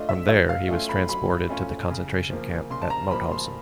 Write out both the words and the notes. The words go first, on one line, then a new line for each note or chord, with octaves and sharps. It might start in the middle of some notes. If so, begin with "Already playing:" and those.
From there, he was transported to the concentration camp at Mauthausen.
Already playing: A3 D4 F4 D#5
E5
F#3 E5
F5
A3 C#4 F4
B5
F#3 B5
A3 C#4 F4
C#3
F3 A#3
C#3 C6
A5
A#5
F3 A#3 B5
C6